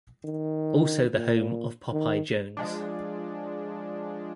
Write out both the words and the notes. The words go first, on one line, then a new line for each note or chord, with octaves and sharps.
Also the home of Popeye Jones.
D#3
A#2
D#3
F3 G#3 D4